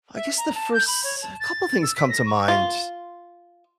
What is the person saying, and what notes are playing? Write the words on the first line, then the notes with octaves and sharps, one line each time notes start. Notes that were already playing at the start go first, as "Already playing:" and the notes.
I guess the first couple things come to mind,
E5
A#5
A5
G6
B5
C#5
A5
A6
E6
B6
A#6
C#6
F4